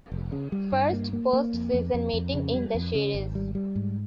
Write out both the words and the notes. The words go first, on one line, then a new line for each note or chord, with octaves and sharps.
First postseason meeting in the series.
F1
C#3
G3
G2
A#3
A#3
A#3
F2
F2
F2
F2
C#3
G3
F2
C#3
G#1
G3
G3
G#2